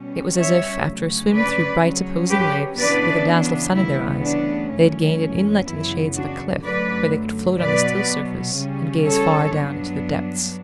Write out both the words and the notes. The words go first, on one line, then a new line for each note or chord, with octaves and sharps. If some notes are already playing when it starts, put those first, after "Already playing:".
It was as if, after a swim through bright opposing waves, with a dazzle of sun in their eyes, they had gained an inlet in the shades of a cliff, where they could float on the still surface and gaze far down into the depths.
Already playing: B2 G3 C#4
C#5 E5
D2 C#3 F#3 C#4
B4 D5
C#3 F#3 C#4
G4 B4
C#3 E3 B3 D4 B4 D5
D2 C#3 E3 G3 B3 E4
D4
F#2 E3 A3 C#4
F#2 C#3 E3 B3 E4
D4 F#4
F#2 D3 F#3 A3 B4 D5
B2 F#3 B3 B4 D5
C#3 G3 C#4
A4 C#5
G2 F#3 B3 D4